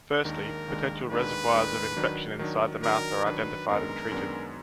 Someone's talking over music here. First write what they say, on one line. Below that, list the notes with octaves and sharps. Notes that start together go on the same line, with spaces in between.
Firstly, potential reservoirs of infection inside the mouth are identified and treated.
D#2 D#3 G#3 D4 A#4
D#2 D#3 G#3 D4
D#2 D#3 G#3 D4 B4
D#2 D#3 G#3 D4
D#3 F#3 D4
D#3 F#3 D4
D#3 F#3 D4 A#4
D#3 F#3 D4 B4
F#2 D#3 G#3 B3 D4 A#4
F#2 D#3 G#3 B3 D4